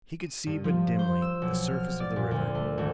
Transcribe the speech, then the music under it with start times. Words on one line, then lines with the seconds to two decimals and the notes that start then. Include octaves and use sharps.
He could see but dimly the surface of the river.
0.21 D#7
0.47 G2
0.64 F3
0.99 C5
1.22 E6
1.42 B1
1.68 F6
2.00 D5
2.16 A#2
2.31 D2
2.55 A3
2.78 G#1